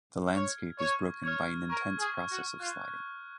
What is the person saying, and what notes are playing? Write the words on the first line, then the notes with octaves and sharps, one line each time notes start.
The landscape is broken by an intense process of sliding.
C#5 F6 G#6
C#5 C#6
C#5 F6 G#6
A#4 C#6
G#4
F6 G#6
F#4
F4 F#6